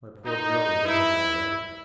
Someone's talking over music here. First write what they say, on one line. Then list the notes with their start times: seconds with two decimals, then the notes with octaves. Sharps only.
"My poor girl, you know him already."
0.25 D#4
0.85 E4